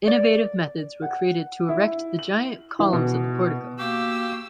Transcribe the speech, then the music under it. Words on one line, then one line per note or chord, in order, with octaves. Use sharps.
Innovative methods were created to erect the giant columns of the portico.
D5
F#5
E4
F#7
E3
B2
A#3 F#4 G4 F5 E6